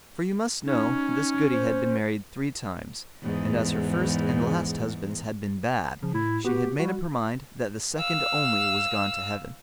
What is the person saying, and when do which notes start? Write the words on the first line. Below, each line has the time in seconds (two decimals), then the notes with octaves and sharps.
For you must know this Goody had been married three times, and as her first and last husbands had been bad, she had made up her mind that the second only was gone to heaven.
0.65 C#4 D#4
1.51 C5
3.23 E2 G#2
6.02 C#3 F3
6.14 A2 E4
6.44 B3 F#4 G4
6.79 G3 F#4
7.97 F5 E6